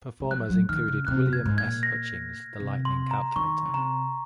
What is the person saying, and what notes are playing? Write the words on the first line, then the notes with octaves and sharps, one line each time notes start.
Performers included William S. Hutchings, the lightning calculator.
G#3
F#3 F#6
F#3
D#3 F6
C#3
C3 F#6
F#2
G#6
G#2
G#6
A#2
A#6
C3
C6
A#5
D#3 C#6
C#3
C3 A#5